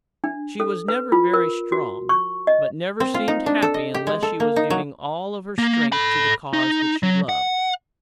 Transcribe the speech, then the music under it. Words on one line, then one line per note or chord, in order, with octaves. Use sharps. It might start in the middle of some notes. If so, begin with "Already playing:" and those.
She was never very strong, but never seemed happy unless she was giving all of her strength to the cause which she loved.
D4
A4
B4
F4
A#4
F#4
C#6
D#5
C4
F4
D#4
D4
A4
D#5
G4
G#3
A4
A#3
D#4
F#3
A#3
A4 B5
D#4
F#3
F#5